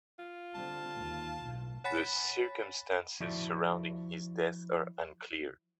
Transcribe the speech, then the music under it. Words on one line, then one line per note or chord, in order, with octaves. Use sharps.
The circumstances surrounding his death are unclear.
F4
D3 G3 C4 A5
D#2
B1 A2
C#5 F#5 G#5 B5 A6 B6
F3 E4 F#4 D5 E5 A5